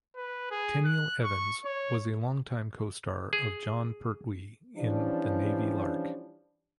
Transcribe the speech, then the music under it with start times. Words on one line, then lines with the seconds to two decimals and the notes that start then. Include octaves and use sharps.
Tenniel Evans was a long-time co-star of Jon Pertwee in "The Navy Lark".
0.16 B4
0.51 G#4
0.85 F#6
1.24 C#6
1.65 C#5
3.33 G#4
4.76 E3 F3 G3 C#4 D4